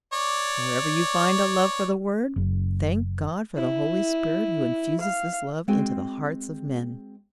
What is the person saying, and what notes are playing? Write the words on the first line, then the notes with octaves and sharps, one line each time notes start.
Wherever you find a love for the Word, thank God for the Holy Spirit who infuses this love into the hearts of men.
C#5 D5
F#1
E4
F5
G#3 C4 F#4 G#4 G5 G#5